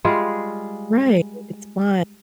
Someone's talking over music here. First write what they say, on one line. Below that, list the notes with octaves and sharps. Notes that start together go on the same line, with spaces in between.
Right. It's fun.
G3 G#3 F4 G#4